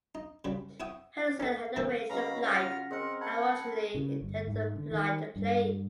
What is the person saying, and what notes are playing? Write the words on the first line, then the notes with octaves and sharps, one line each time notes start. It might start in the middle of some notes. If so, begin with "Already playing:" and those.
Henderson had arranged the flight and had originally intended to fly the plane.
D#4
C#3 F#3 G3 B5
E4 C#5 F#5 G5 D#6
D#4 A4
B2 D#3 F#3 A3 A#3 C4
C#3 F#3 B4 D#5 F5 A#5 B5
F4 F6
F#5 A#6 B6
C4 G#4 A#4 D#5 F#5
F#5 A5 B5 G#6
C#3
G1
G#2
D3
D#3
G2